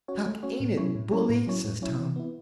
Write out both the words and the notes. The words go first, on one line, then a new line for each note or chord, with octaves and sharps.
"Huck, ain't it bully!" says Tom.
C#4 F#4 C#5
A3
C#4 F#4 C#5
A2
F#3 C#4 E4 C#5
A2
F#3 C#4 E4 C#5
A2
F#3 C#4 E4 C#5
A2
F#3 C#4 E4 C#5
E3
B3 E4